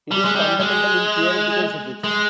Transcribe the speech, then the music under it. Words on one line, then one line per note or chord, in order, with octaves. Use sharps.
It is fundamental in theoretical physics.
G3
G#3
G3
G#3
G#3